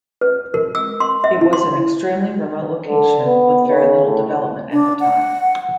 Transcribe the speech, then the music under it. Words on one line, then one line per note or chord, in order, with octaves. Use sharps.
It was an extremely remote location with very little development at the time.
B4
A#4
E6
C6
E5
E4
C6
D3
B3
C#3
A2
D4
F#5